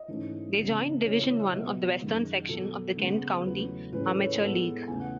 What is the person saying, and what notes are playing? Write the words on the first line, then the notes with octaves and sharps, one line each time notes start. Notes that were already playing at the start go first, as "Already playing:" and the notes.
They joined Division One of the Western Section of the Kent County Amateur League.
Already playing: D#5
G#2 E3 A3 C#4
C#3 E3 B3
C#3 E3 A3 C#5
C#5
E5
B2 F#3 B3 D#5
F#2 D#3 G#3
B2 F#3 B3 A4
C#3 G#3 B3
E2 C#3 F#3 A3 B4
A2 E3 G#3 C#4 B4
A4
C#5
B4
A2 G#3 B3 A4
E2 C#3 E3 A3 G#5
F#5